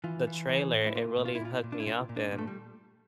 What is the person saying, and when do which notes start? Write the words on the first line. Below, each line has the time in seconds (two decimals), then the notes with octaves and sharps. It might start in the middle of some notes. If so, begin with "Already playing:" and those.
the trailer, it really hooked me up, and
0.04 E3 F4
0.27 E3
0.49 E3
0.73 A2
0.86 E4
0.95 A#2 F4
1.18 A#2
1.25 F4
1.35 E4
1.41 A#2 F4
1.64 A#2
1.72 D4
1.80 E4
1.86 A#2 F4
2.09 A#2
2.16 D4
2.31 A#2
2.38 A3
2.47 G3